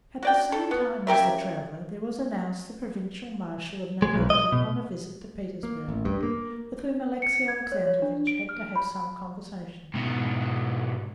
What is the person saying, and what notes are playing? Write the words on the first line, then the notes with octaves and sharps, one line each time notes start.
At the same time as the traveler there was announced a provincial marshal of nobility on a visit to Petersburg, with whom Alexey Alexandrovitch had to have some conversation.
F#4 D5 G5
A4
B3
C#3 G4 A#4 E5
G#3
B1
D#5
B2
A#3
A1
G2
A#3
C#7
G#6
C#5
C#5
D4
D7
F6
B5
G#2 B2